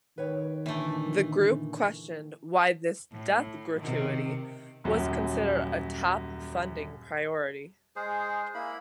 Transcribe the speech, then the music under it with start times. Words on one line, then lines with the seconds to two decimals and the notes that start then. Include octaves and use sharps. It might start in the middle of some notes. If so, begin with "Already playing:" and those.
The group questioned why this "death gratuity" was considered a "top funding priority".
0.18 D#3 B4 C#5 G5
0.66 A#2 D3 E3 A3 G5
3.12 A2
3.79 C3 D#3
4.84 D#1 F#2
7.96 G#3 G#4 C5
8.54 A#3 E4 B5